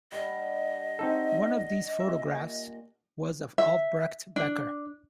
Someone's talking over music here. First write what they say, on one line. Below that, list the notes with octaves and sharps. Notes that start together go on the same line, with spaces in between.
One of these photographs was of Albrecht Becker.
G3 D4 D#5 F#5
C4 D4 D#4 F#4 A4 D5
A#2 E5
E5
D4